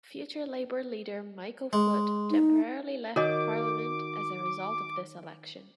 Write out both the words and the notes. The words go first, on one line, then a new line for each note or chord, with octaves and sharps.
Future Labour leader Michael Foot temporarily left Parliament as a result of this election.
G#3
D#4
D#3 F#4 A#4 C#5 D#5 D6